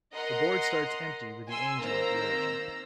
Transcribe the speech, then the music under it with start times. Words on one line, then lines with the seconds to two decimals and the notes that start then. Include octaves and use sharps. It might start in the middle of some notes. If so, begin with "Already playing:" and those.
The board starts empty with the angel at the origin.
0.13 A#4 D#5 F#5 A#5 C6
1.48 G#5 C6 E6
1.81 D#3 A#3 C4 C5 A#5 E6